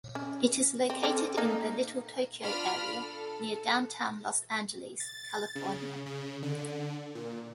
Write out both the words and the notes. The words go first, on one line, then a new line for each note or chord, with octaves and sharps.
It is located in the Little Tokyo area near downtown Los Angeles, California.
C#4
C4
C4 C#4 A4
A#3 D#4 A4
D4 F4 B5 F6 B6
A4
A6
C#3
C#3
D3
A#2